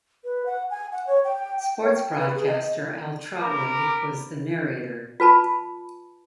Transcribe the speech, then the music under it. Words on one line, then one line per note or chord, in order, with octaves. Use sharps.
Sports broadcaster Al Trautwig was the narrator.
B4
F#5
G#5
F#5
C#5
G5
G5
C#5
G5
B4
G#4
D#5
A#4 B5 D6
F4 B4 A5 B5